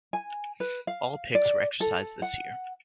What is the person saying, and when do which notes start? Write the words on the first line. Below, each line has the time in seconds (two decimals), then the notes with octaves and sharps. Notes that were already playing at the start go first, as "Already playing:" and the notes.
All picks were exercised this year.
0.13 G#5
0.60 B4
0.87 F5
1.35 D5
1.80 A4
2.22 F#5